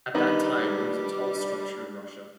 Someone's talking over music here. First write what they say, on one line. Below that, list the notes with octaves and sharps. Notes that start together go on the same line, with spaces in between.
At that time, it was the tallest structure in Russia.
D#3 G3 B3 D4 D#4